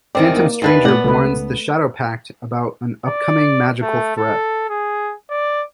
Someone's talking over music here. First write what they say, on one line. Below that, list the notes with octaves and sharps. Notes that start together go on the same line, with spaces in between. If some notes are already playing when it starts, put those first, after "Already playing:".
Phantom Stranger warns the Shadowpact about an upcoming magical threat.
E2 D#3 C4 D5
A#3
D#2 D4 B4
A2 B3 D5 F#5
C#2 A3 B4
D5
A3
A4
G#4
D5